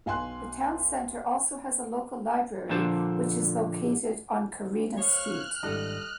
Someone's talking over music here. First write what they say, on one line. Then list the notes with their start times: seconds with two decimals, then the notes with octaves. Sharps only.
The town centre also has a local library which is located on Corinna Street.
0.06 B1 F5 G5 G#5 C6 F#6
2.69 A#2 D3 F3 D4 C5 A5
4.96 F3 G#3 C#5 F6 F#6
5.63 G#1 G3 D4 E4 A4 D#5